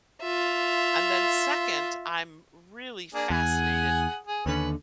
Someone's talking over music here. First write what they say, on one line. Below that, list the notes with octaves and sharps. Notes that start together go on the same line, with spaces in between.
And then second, I'm really fascinated
F4 E5
A#3 D4 G#4
E2 G#4 F#5 G#5
G#4
D#2 D3 C#4 B4